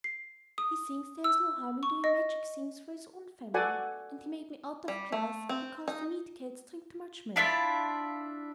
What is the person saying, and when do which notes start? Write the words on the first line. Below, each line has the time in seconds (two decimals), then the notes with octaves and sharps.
He thinks there's no harm in doing magic things for his own family, and he made me out of glass because the meat cats drink too much milk.
0.04 C7
0.58 D#6
1.24 E6
1.83 C#6
2.04 D#5
3.54 F#4 A4 D5 F#5 G#5
4.88 G3
5.12 A3
5.49 C4
5.88 D#4
7.36 D4 E4 F4 E5